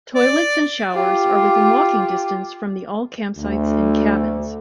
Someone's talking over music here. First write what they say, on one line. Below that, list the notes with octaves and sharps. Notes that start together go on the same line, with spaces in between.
Toilets and showers are within walking distance from the all campsites and cabins.
D5
F4 G4
D2